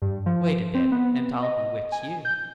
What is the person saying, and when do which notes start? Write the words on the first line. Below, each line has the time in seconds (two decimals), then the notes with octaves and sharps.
Wait a bit, and I'll bewitch you!'
0.02 G2
0.26 F3
0.74 C4
0.92 B3
1.43 D#5
1.92 G#5
2.25 G6